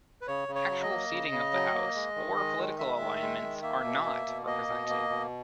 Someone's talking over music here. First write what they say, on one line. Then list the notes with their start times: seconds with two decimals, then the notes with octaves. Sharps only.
Actual seating of the House or political alignments are not represented.
0.21 B4
0.27 C#3 C#5
0.48 C#3
0.55 C#5
0.69 F#3
0.83 D#5
0.90 A#3
1.11 C#3
1.31 C#3
1.53 F#3
1.74 A#3
1.95 G#3
2.16 D#3
2.37 G#3
2.57 D#3
2.79 G#3 E5
3.00 D#3
3.21 G#3
3.42 D#3
3.62 A#3 E5
3.84 B2
4.04 A#3
4.26 B2
4.47 A#3 D#5
4.68 B2
4.89 A#3
5.09 B2